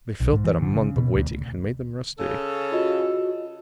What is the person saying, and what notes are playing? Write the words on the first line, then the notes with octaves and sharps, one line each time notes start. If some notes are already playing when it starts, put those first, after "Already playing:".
They felt that a month of waiting had made them rusty.
B1
G#2
E3
D3
C#3
B2
D2
C#3 A4
F4 F#4 D#5